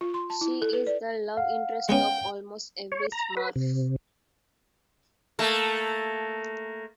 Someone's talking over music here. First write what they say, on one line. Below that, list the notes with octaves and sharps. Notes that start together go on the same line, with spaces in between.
She is the love interest of almost every Smurf.
F4
C6
A5
E4
A4
B4
D5
F5 F#5
G#3 B3 C#4 G5
C#5
A#5
B4
C3
A3 A#3